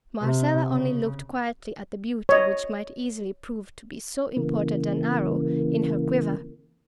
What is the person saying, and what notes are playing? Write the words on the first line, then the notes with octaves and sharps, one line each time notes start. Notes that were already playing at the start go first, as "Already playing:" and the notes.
Marcella only looked quietly at the beauty which might easily prove to be so important an arrow in her quiver.
C3
C#3
C#5 D#5
C#3 E3 A#3